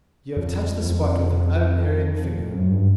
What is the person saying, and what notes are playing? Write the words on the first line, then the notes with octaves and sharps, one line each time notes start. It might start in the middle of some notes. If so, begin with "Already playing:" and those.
'You have touched the spot with an unerring finger.
F2
E2
F2
F2
F#2
G2